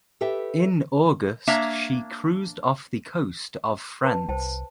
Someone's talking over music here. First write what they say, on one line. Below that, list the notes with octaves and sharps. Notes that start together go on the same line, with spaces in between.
In August she cruised off the coast of France.
G4 A4 B4 E5 G5
A#3 D4 C#5 E5 A#5
B4 A5
C2 C5 G5 A5